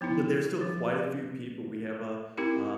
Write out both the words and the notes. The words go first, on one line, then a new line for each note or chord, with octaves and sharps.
but there's still quite a few people. We have a a
F3 B3 D#4 E4
F3
C4 D#4 E4 G4 A#4